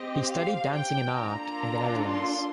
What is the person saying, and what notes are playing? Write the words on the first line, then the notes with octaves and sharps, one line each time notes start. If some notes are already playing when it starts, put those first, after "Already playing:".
He studied dancing and art in the Netherlands.
Already playing: C4 G4 D#5
F5
G5
A#3 D4 F4 A4 A#5
C6